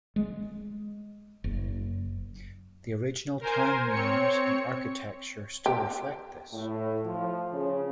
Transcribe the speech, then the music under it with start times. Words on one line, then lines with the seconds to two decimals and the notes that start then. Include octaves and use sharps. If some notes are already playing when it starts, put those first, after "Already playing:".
The original town names and architecture still reflect this.
0.16 G#3
1.44 F#1
3.40 A#4 C5 G#5
3.91 C4 C#5 C#7
5.66 G4
6.53 A2
7.05 F3
7.52 C#3